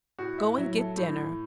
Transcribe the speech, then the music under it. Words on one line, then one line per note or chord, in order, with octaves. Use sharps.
Go and get dinner.
A2 F#4
E4
F#3 E4
A4
A2